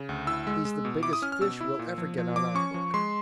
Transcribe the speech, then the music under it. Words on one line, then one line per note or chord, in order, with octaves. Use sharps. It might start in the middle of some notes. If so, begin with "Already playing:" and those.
"He's the biggest fish we'll ever get on our hook."
Already playing: C#3
D2
E4 E6
G#3
G#3
B2
E4 D6
D#6
C#4 F6
F6
B2 E6
E4
A#2
F3
F3
F3 D6
C#4 C#6
F3
G#3 C6